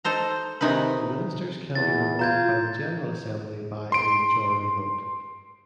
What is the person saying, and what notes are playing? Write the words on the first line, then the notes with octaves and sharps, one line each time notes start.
The ministers can be removed by the General Assembly by a majority vote.
D#4 A4 C5 A#5
C3 D#3 D#4 G#4 B4
E2 A6
F4 A#5 G6 G#6
C6 D7